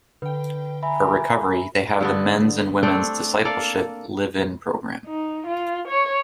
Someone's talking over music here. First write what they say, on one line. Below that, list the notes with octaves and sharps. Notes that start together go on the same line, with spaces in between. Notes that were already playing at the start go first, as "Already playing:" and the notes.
For recovery they have the Men's and Women's Discipleship live in program.
D3 B4 G5
E5 G#5 A#5 B5
G2 D3 B3
A3 C4 D4 G5
A#3 A4 D5 F5
D#4
F4
C#5